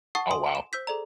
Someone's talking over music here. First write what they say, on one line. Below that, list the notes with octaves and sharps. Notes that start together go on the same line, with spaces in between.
Oh, wow.
F#5 A5 C#6 D#6 A6 C7
G#5 C6 D#6
E7
C5 E6 G6 B6
G#4 A4 D5 A#5